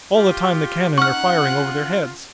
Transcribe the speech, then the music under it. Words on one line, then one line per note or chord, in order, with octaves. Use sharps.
All the time the cannon are firing over their heads.
F4 G4
C#4 D#4 F#5 C#6 F6 F#6
F4